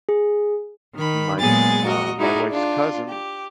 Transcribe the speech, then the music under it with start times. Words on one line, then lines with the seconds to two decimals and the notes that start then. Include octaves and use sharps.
My cou uh, my wife's cousin,
0.09 G#4
0.95 D#3 B5
1.38 A#2 F#3 G#3 B3 G#4 A6
1.83 F#4 A#4 D#5
2.17 D#4 E4 F#4 G#4 A#4 D5
2.49 D4 F4
3.09 G4